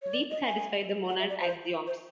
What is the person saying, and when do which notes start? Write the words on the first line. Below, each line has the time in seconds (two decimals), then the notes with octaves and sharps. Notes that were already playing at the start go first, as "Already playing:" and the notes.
These satisfy the monad axioms.
0.03 C#5
0.14 D5
0.30 D#5
0.46 G#5
1.09 F#5
1.20 E5
1.30 D5
1.40 C5
1.87 C5